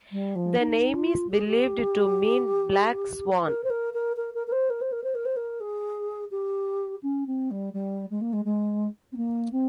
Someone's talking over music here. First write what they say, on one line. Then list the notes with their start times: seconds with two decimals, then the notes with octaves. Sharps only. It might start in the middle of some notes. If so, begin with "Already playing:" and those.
The name is believed to mean black swan.
0.12 G3
0.36 F3
0.60 D#4
0.95 F4
1.31 G4
1.40 G#4
1.48 G4
3.46 A#4
3.64 C5
3.70 A#4
3.94 A#4
4.17 A#4
4.34 A#4
4.47 A#4
4.52 C5
4.70 A#4
4.81 C5
4.92 A#4
5.04 C5
5.15 A#4
5.26 C5
5.37 A#4
5.61 G#4
6.31 G4
7.03 C#4
7.27 C4
7.51 G3
7.74 G3
8.11 G#3
8.21 A#3
8.33 G#3
8.45 G#3
9.12 C4
9.17 A#3
9.52 C4